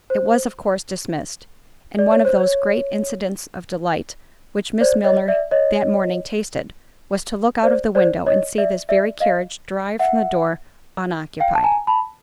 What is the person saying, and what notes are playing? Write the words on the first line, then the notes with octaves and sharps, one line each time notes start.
It was of course dismissed--and one of those great incidents of delight which Miss Milner that morning tasted, was to look out of the window, and see this very carriage drive from the door unoccupied.
C5
D5
C#5
C5
C#5
C5 D5
C#5 D#5
D5 E5
C#5 D#5
C5 D5
C5 D5
C#5 D#5
D5 E5
D5 E5
D#5 F5
E5 F#5
F5 G5
A5
G#5 A#5
A5 B5